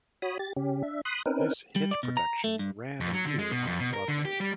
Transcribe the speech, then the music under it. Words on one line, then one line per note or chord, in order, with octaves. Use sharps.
This hit production ran a year on Broadway.
F#4 C#5 B5 D#6
G4 A6
C#3 C#4 G4
D4 E5
B5 C6 D#6 F#6
C4 C#4 D#4 A#4 B4
G3
D5
B2
A#5
A3
G2
F2
F#3
D3
G#3
B2
F2
B2
A#4
D3
G4
G3